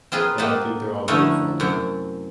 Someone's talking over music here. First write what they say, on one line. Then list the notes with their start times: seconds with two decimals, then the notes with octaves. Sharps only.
but I think they're all very fun, yeah.
0.12 C4 F4 G#4 A#4 B4
0.38 A#3 G4 D#5 F#5 A5
1.08 D3 F3 A3 C#4 D#4 E4
1.60 F#2 C3